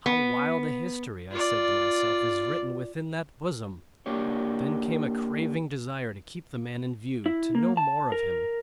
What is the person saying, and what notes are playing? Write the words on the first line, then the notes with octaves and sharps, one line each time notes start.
"How wild a history," I said to myself, "is written within that bosom!" Then came a craving desire to keep the man in view--to know more of him.
B3
F4 D5
A#3 D4 G4 C#5
E4
A#3
A5
A#4